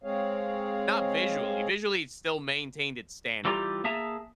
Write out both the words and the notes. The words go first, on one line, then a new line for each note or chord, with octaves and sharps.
Not visually, visually, it still maintained its standard;
G#3 C4 G#4 C#5 F5
E3 G3 F4 G4 D5 A#5
A#3 G#4 E5 A5 A#5